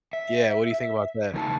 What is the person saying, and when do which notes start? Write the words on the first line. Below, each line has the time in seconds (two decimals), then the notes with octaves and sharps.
Yeah, what do you think about that?
0.13 E5
1.34 E2 C#3 A3 D#4 F#4 A5